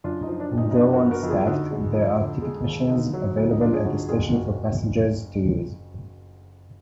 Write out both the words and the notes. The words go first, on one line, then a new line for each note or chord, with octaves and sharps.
Though unstaffed, there are ticket machines available at the station for passengers to use.
F#2 D4 F4
D#4
F3
D4
F#1
D#4
D#4
F3 D4 F4
F#4 A#4
B3
F#4 A#4
F2
F4 G#4
D3 D#4 F#4
G#3
F2
D3
G#3
D#2
D3 D#4
F#3
D2
D#4
F2 D4 F4
G#4
D3 D#4 F#4
F#1 F4 G#4
F#4 A#4